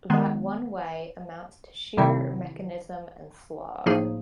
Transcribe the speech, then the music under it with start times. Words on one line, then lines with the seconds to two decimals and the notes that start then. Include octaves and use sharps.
That one way amounts to sheer mechanism and slog.
0.10 D#3 G#3 B3
1.97 C3 D#3 G3 C4 E4
3.86 A2 F3 A#3 D#4 G#4